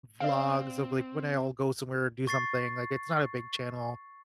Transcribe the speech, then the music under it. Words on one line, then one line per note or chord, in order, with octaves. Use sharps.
vlogs of, like, when I'll go somewhere or do something, like, it's not a big channel,
C4 D5 F5
C#6 A6 C7